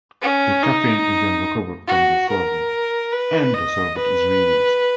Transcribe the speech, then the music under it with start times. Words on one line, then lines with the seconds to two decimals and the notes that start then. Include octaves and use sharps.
The caffeine is then recovered from the solvent, and the solvent is re-used.
0.22 C#4
0.63 D#4
1.87 F#4
2.29 A#4
3.12 B4
3.54 D#5
3.96 B4